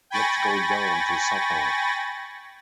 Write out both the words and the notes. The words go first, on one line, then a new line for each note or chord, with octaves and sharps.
Let’s go down to supper.
G5 G#5 B5 C#6 A6 A#6